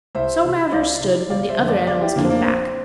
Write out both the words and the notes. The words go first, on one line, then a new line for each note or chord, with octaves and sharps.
So matters stood when the other animals came back.
C2 C5 E5
C3 E3
C2 D5 F5
C3 E3
G1 D5 F5
C5 E5
F2 D3
D5 F5
G1 D5 F5
E4 G4
F2 D3 A#3 D4
C4
A#3 D4
A#1 C4